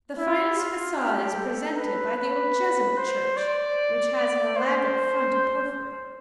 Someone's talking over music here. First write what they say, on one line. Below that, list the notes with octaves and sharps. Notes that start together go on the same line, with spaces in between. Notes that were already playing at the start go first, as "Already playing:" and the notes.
The finest facade is presented by the old Jesuit church, which has an elaborate front of porphyry.
E4
F4
G4
A4
B4
B4
C5
D5
C5